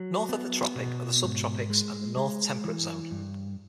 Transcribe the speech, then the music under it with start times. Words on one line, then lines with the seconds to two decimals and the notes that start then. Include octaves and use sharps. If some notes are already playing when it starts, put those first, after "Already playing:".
North of the tropic are the subtropics and the North Temperate Zone.
Already playing: F#3
0.29 B3
0.76 B2
1.23 G#2
1.70 G#3
2.17 G#3
2.64 E3
3.11 G2